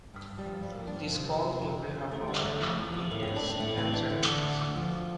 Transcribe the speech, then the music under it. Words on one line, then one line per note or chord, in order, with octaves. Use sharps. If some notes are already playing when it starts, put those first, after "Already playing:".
These call every half-hour on weekdays and Saturdays.
G2
G2
G3
F3
G2 G3
F3 A#3
D4
F3 C4
C3
F2
C3
F2
F2
C3
E2 A3
D3 G3
D3 A3
F3
E2
F3
A2 A#3
A2 C4
D4
A2 C4
A2 A3
E3 C4
E3 D4
D3
D3
D2
D2
F3